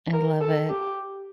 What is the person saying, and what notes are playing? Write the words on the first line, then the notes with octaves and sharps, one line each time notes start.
I love it.
A#4
A4
G4